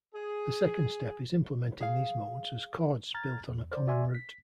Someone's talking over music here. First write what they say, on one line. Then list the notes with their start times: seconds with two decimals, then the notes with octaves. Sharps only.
The second step is implementing these modes as chords built on a common root.
0.15 G#4
1.80 G#4 F5
3.14 A#5 F6 G#6 A6
3.50 E2
3.72 C5 D5
3.87 F#4 D5 E5 G#5 C6
4.15 B6